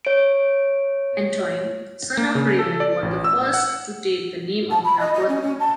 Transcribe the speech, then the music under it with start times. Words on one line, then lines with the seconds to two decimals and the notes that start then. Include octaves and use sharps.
Antoine, son of Raymond, was the first to take the name La Boétie.
0.05 C#5 D7
2.17 A#3
2.35 C#3
2.59 A4
2.80 D5
3.02 A1
3.24 E6
3.54 F#5
4.71 A5
4.85 B5
4.99 D#5
5.14 D#5
5.28 C#4
5.42 C#4
5.60 A5